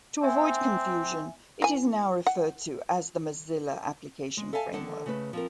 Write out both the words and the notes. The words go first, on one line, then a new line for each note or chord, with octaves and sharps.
To avoid confusion, it is now referred to as the Mozilla application framework.
C4 E5 G#5
E3 G#5
F#5
G#3
A4 E5 F5 G#5 A5
D3 D#3 A4 F#5 A5
C#3 A3 B4
F3 C4 A#4